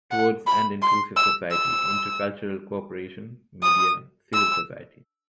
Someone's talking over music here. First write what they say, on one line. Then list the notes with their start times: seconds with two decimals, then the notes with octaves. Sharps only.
Towards and Inclusive Society: Intercultural Cooperation; Media; Civil Society.
0.11 F#5
0.47 B5
0.82 C6
1.17 E6
1.51 E6
3.62 D#6
4.34 E6